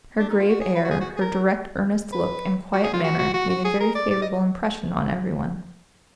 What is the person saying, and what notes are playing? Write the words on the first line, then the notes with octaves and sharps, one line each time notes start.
Her grave air, her direct earnest look and quiet manner made a very favorable impression on every one.
D4
D#4
F4
F#4
G#4
B4
F#4
G#4
F#4
G#4
A#4
B4
F#4
G#4
F4
F#4
F#4
F#4
F#4
G#4
A#4
D5
D5
D#5